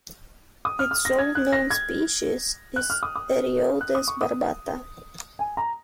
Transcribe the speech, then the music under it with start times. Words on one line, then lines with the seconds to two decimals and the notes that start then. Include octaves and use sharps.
Its sole known species is Eriodes barbata.
0.65 D#6
0.79 F6
0.91 F6
1.05 A#6
1.18 G#6
1.35 F#6
1.52 A#6
1.71 G#6
2.76 F#6
2.90 F6
3.03 D#6
3.16 D#6
3.81 F#6
3.95 D#6
4.08 C#6
4.21 D#6
5.39 G#5
5.57 A#5